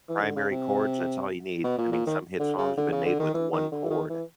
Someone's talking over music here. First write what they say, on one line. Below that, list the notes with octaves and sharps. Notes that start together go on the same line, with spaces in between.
primary chords, that's all you need. I mean, some hit songs have been made with one chord.
E3
D3
C#3
C3
B2
A#2
A#2
D#3
D3
C#3
D3
C#3
D3
D#3
E3
D#3
D3
E3
D#3
E3